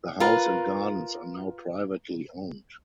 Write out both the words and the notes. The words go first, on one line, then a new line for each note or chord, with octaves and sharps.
The house and gardens are now privately owned.
F4 A#4 B4